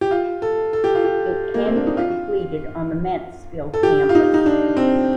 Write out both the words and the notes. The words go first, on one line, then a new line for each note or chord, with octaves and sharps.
It can be completed on the Mansfield Campus.
G4
F4
A4
A4
G4
F4
G4
A#3
C4
D4
D#4
F4
A4
G4
F4
D#4
D#4
D4
C4